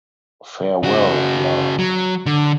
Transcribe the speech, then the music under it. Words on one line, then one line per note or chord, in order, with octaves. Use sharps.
Farewell Love!
C#3 F#4
F#3
D3